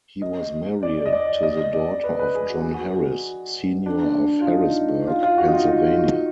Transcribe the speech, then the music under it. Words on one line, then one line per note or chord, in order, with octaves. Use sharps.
He was married to the daughter of John Harris, Senior of Harrisburg, Pennsylvania.
D#5
D5
D#5
D5
D#5
D5
B4
B4
G#4
F#4
G#4
F#4
D4
D4
F4
D#4
F4
F4
F#4
D#4
F4
F4
F#4